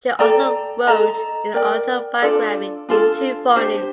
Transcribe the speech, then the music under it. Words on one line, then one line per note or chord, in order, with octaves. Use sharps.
She also wrote an autobiography in two volumes.
A4 D5 G5 A#5
A4 D#5 A#5
A#4 D5 G5
D4 F4 A4 D5
D4 F4 A4
D4 G4 C5